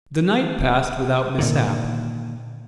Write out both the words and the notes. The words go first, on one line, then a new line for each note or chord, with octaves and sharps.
The night passed without mishap.
A#2 D3 D#3